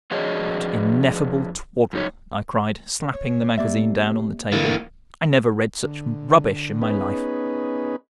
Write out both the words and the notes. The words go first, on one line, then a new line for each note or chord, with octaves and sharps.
"What ineffable twaddle!" I cried, slapping the magazine down on the table, "I never read such rubbish in my life."
F2 D4 F#4 G#4 C#5 D#5
F#2 D#4 C#5
C#5
C3 A#3 D5 E5
D3 E3 A#3 E4
D3
B3 C#4 D#4 G#4 B4